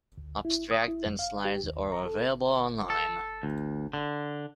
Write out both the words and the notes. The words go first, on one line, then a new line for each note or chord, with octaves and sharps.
Abstract and slides are available online.
D2
E4
D#6
E4
F#2
F5
G4
D#2
A#5
A4
A4
D2
D3